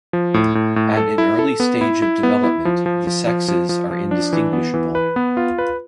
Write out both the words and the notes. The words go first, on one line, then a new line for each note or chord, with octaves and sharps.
At an early stage of development the sexes are indistinguishable.
F3
A2
A2
A2
A4
E4
A4
B3
E4
E4
B3
E4
F3
F3
F3
F3
F3
F3
F3
D4
E3
B3
E3
B4
B3
F4
B4